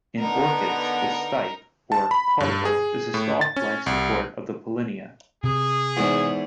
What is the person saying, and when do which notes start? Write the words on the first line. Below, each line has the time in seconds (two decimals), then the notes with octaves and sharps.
In orchids, the stipe or caudicle is the stalk-like support of the pollinia.
0.19 D3 B3 D#4 A#4
1.92 A5
2.11 B5
2.40 G2
2.65 G#4
3.14 A2
3.41 A6
3.56 C#4
3.86 C2
5.44 C3 G#4
5.97 E2 G#2